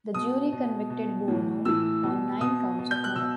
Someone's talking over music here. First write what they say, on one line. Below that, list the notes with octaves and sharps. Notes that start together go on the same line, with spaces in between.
The jury convicted Buono on nine counts of murder.
B2 D#6
B2
B2
A2 E3
A2 E3 E6
B2
B2 D#6
B2
G6
F#6
B2 E6